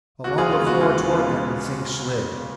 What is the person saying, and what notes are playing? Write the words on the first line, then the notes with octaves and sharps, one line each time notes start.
Along the floor toward them the thing slid.
D#2 F#4
F4 G#4
C#3 G#3 B3 F4
F#4
D#2 F4
C#3 G#3 B3